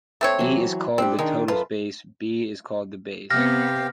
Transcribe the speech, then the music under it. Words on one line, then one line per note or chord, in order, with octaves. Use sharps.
"E" is called the total space, "B" is called the base.
A3 C4 C#5
E3 F#3
G3 C4 D4 G4
D#3 G#3 D4
F#2 F4 A4 B4
C3 B3 G4 C5 F5 G5 F6 A#6